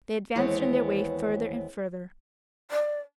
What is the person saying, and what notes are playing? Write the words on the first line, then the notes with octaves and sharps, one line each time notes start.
They advanced on their way further and further.
D#2 E3 G#3 B3 C4 C#5
D5